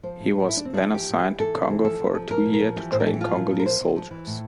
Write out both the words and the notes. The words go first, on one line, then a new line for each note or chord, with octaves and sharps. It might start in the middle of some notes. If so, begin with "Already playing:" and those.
He was then assigned to Congo for a two-year to train Congolese soldiers.
F3 C5
A2
F3
F3 E4
D4
C3 C4
D4
F3
E3 G4
A2
E3
E3 A4
C3
E3
F3 A4
C3
F3
F3 A#4
A#2
A#4
F3
E3 G4
A2 C5
A#4
E3 A4
G4
F3 F4
A#2
F3
A#4
F3 C5
C3
F3
E3
A2